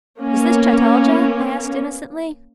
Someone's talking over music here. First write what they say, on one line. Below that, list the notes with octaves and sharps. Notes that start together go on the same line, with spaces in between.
'Is this Chataldja?' I asked innocently.
A#3 B3 C#4